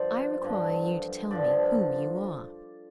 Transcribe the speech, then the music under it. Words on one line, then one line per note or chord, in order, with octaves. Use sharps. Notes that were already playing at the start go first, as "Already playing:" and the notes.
I require you to tell me who you are.'
Already playing: G2 D3 F3 C5 D5
G2 D3 F3
G2 D3 F3 D5